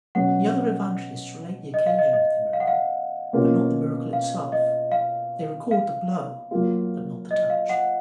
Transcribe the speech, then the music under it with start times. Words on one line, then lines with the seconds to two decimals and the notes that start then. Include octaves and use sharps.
The other evangelists relate the occasion of the miracle, but not the miracle itself; they record the blow, but not the touch.
0.15 B2 F#3 C#4 F#4 F#5
1.74 D#5
1.87 F5
1.99 D#5
2.13 D#5
2.53 F5
2.60 F#5
2.68 F5
3.33 B2 A#3 C#4 F4
4.13 F5
4.52 D#5
4.91 F5
5.71 F5
6.51 F#3 A#3 F4
7.31 D#5
7.50 F5
7.70 F#5